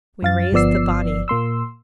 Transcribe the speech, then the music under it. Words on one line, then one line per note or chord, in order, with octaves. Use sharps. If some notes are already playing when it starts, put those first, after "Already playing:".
We raised the body.
F#2 F5 A6
G1 F3 B3 D5 E6 C7
A#2 A#3 C6 E6